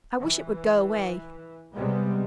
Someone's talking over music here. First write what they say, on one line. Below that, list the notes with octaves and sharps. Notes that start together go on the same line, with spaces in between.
I wish it would go away.
E3
C3 G3 G#3 B3